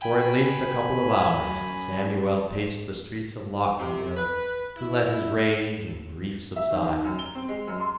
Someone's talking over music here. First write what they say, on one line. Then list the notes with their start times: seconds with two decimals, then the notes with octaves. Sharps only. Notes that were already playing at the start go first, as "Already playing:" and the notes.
For at least a couple of hours Samuel paced the streets of Lockmanville, to let his rage and grief subside.
0.02 G5 G#5 B5
1.42 F#2
3.79 C3
4.16 B4
4.77 E4
6.56 E5
6.70 D#3
6.84 D#3
7.05 F#2
7.19 G7
7.35 C4
7.48 G#3
7.67 F#2
7.80 C6